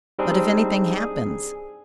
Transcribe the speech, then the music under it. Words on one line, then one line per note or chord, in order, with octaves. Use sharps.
"But if anything happens-?"
G3 C4 D4 D#4 G#4
G#4